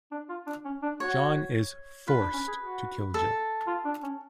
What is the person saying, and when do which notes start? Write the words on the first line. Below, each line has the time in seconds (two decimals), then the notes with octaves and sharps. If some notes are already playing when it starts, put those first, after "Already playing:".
John is forced to kill Jill.
0.11 D4
0.29 F4
0.46 D4
0.65 C#4
0.82 D4
1.00 F#4 C#5
2.07 F4 B4
2.20 D4
2.33 C#4
2.48 G#4
2.60 F#4
3.14 A4
3.67 F4
3.85 D4
4.03 C#4